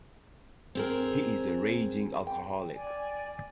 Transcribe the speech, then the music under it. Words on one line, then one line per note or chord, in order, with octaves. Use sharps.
He is a raging alcoholic.
C4 G#4 A#4
G5
D5 G#5